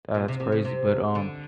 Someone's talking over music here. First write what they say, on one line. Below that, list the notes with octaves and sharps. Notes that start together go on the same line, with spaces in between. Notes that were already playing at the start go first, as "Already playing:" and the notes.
That's crazy, but um,
A#2
C3
C3
C#3
C3
D3